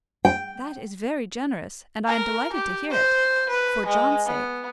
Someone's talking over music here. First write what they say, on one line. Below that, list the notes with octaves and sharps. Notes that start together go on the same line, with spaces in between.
"That is very generous; and I am delighted to hear it,--for John's sake."
G5
A#4
G4
C5
B4
G#3
B3